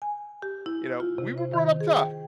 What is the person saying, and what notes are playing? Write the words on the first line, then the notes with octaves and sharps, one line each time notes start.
You know, we were brought up tough,
G#5
G4
E4
F4
C3
C5
D#3
G#4
G5